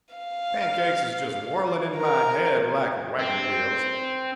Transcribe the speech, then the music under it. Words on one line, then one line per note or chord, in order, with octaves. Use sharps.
Pancakes is just whirling in my head like wagon wheels.
F5
A#4
C4